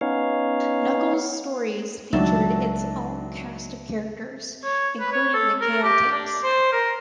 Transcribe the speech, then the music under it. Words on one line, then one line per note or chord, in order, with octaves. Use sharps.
Knuckles' stories featured its own cast of characters, including the Chaotix.
B3 C#4 D#4 C#5 F5
C#2 D#3 F#3 D4 E5 A5 E6
C#5
B4
C#5
A4
A#4
G4
D4
C5
A#4